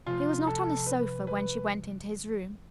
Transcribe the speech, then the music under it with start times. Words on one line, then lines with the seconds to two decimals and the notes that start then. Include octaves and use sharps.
He was not on his sofa when she went into his room.
0.06 C3 F3 A3 E4 F4
0.47 A4
0.86 B4
1.27 B4